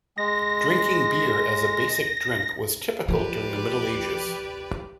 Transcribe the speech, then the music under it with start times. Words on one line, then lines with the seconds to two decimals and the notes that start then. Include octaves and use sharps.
Drinking beer as a basic drink was typical during the Middle Ages.
0.18 G#3 A#6
3.08 F3 G4 B4 D5